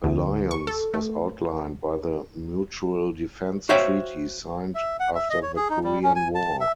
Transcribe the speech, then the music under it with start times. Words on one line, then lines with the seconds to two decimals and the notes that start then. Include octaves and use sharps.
Alliance, as outlined by the Mutual Defense Treaty signed after the Korean War.
0.04 D2
0.51 C#6
0.67 A4
0.94 A3
3.69 F#4 C5 C#5 E5 F5 G5
4.75 E5
5.00 F#5
5.15 E5
5.30 D#5
5.43 C#5
5.56 G#4
5.70 D#4
5.84 G3
6.03 C#4
6.16 G#5
6.35 A5
6.60 E5